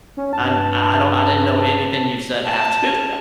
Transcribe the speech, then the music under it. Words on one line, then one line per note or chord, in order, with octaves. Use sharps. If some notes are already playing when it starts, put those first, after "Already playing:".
I'm I don’t I didn’t know anything you’ve said after that.
C#4
G2 A5
A5